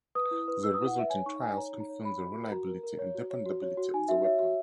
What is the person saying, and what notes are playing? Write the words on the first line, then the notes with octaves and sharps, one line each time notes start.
The resulting trials confirmed the reliability and dependability of the weapon.
B4 D#6
E4
B4
B4 E6
E4 D#6
F#5
B4 E5
C#5 G#5
D#4 C#6
D#4 G#5
C#5 A#5
D#4
A#5
C#5
C#5 B5
F#4
A#4
F#4 A#5
A#4
A#4
C#5
F#4
C#5
F#4
C#5
F#4
D#4 G#5
F#4 E5
C#5 E5
F#4